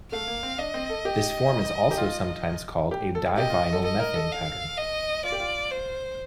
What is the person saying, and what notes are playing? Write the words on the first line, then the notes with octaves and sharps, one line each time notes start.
This form is also sometimes called a "divinylmethane pattern".
A3 F5
A#3
C4
D4 D#5
C4
A4
G4
G4
F4
G4
A4
G4 D#5
F4
A4
A4 D#5
A#4
A4
F5
D#5
F4 D5
G4
F4
C5